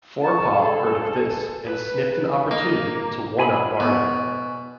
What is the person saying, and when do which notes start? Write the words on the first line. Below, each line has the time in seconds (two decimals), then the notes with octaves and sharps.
Forepaugh heard of this and sniffed an opportunity to one-up Barnum.
0.22 A5 C#6
0.58 G#4 A4
1.65 B4
2.51 A#3 D#4
3.39 G#5 B5
3.80 B2